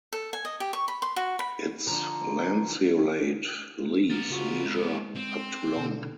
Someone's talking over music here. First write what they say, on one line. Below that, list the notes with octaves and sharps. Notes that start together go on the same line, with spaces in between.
Its lanceolate leaves measure up to long.
A4
G#5
D#5
G4
C#6
B5
C6
F#4
B5
D3 F3 A#5
B3 A#4 A6
C#3 F4 F#4
G#3
C4
B2 D3